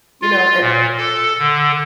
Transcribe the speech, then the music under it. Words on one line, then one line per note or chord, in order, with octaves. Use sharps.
You know, it
F4
A#2
A4
D3